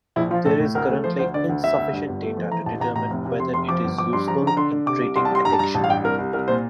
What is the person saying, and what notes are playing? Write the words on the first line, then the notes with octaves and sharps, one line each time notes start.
There is currently insufficient data to determine whether it is useful in treating addiction.
A#1 E4
F3 F4
A2 A4
A2
D2 A#4
A3
F3 C5
D2 C5
D3 D5
D2
D2 E5
D2
G2
G1
A3
F3
E3 A#5
A1 A5
A1 A#5
A2 A#5
F1
C3
F1 C6
F1 C6
F3 D6
G1
F3 D6
G2 C6
F3 A#5
D3
A#5
D3 C6
D3
C3 D6
C2
C2 C6
A5
G3 C6
G2 A#5
A5
G2 A#5
A1 A5
F5
G2 G5
C2 A#4
C2
C2 A#4
A#2 C5